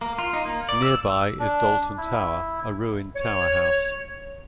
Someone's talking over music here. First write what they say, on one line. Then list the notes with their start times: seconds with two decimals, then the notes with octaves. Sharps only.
Nearby is Dalton Tower, a ruined tower house.
0.01 A#3
0.19 F4
0.33 D#4
0.45 A#3
0.69 D5
0.82 E6
1.39 D4
1.98 E4
3.16 C#5